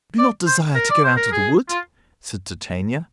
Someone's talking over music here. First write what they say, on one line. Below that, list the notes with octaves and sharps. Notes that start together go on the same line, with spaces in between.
"Do not desire to go out of the wood," said Titania.
D5
C5
A#4
D5
C5
A#4
G#4
F4